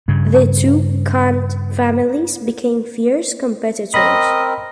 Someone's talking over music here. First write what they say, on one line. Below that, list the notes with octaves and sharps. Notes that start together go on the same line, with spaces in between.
The two Cant families became fierce competitors.
G2 C#3
C4 A#4 D#5 B5 A#6